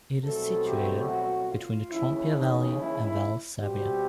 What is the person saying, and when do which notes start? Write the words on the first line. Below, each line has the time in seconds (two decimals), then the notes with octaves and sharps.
It is situated between the Trompia valley and Val Sabbia.
0.21 C2 B2 F#3 A3 C4 A4
0.63 G4
1.05 F#4
1.48 F4
1.91 D#2 C#3 E3 E4
2.34 D#4
2.76 E4
3.04 E4
3.60 C2 B2 G3 C4 G4